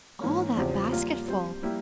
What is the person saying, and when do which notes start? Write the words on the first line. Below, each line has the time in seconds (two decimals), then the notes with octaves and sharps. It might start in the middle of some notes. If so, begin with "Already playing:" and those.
"All that basketful!"
0.21 G#2 E3 A#3 C#4
0.57 E2 C#3 F3 C4 G4
0.92 G3 A#3 F4
1.27 G3 C4 G4 C5
1.63 G3 A#3 E4 G4